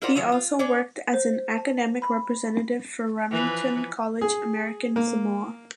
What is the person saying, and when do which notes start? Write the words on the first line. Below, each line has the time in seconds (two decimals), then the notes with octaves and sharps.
He also worked as an academic representative for Remington College American Samoa.
0.02 E4 F4 A#4 C5 D5 F#5
0.15 D#3 F#3 F4 C#5
0.32 F4
0.59 C#4 D4 C#5 D5
1.14 C5
1.58 A5
2.02 B5
3.31 E3 F3 B4
4.21 G#4
4.96 A#3